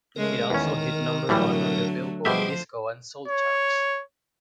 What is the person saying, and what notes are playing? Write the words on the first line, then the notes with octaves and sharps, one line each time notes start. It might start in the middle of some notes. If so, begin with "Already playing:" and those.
It also hit number one on the "Billboard" Disco and Soul charts.
C#3 G#3 A3 A#4
E2 D#3 C#4
A2 D3 E3 F#3 G3 A3
B2 F3 G3 G4 G#4 C5 E5
C#5